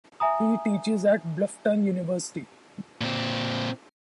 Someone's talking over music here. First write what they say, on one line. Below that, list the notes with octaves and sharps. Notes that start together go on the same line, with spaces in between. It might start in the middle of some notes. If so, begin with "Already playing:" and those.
He teaches at Bluffton University.
E5 G#5 A#5 D#6
A#2 C4